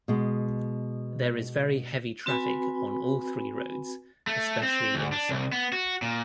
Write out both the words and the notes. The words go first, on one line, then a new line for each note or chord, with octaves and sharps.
There is very heavy traffic on all three roads, especially in the summer.
B2 G#3
C4 F#4 B4 G#5 B5
A3
C4
D2
D4
C2
B3
F#4
A#2